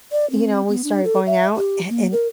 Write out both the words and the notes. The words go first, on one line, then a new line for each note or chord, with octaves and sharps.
you know, we started going out a and
D5
C4
B3
D4
A4
E5
G4
A#3
A#4